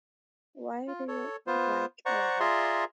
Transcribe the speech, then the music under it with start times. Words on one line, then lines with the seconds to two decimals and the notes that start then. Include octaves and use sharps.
Why do you like Eleanor?
0.88 F4
1.08 A4 C#5
1.47 B3 F4 C5
2.06 C5 D5 F#5 A#5 C#6
2.40 F4 G#4 D5 E5 A#5 C6